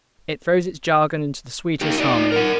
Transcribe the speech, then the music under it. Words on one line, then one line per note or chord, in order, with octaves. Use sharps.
It throws its jargon into the sweetest harmony.
D#4 G4
D#4 D5
A#4 F#5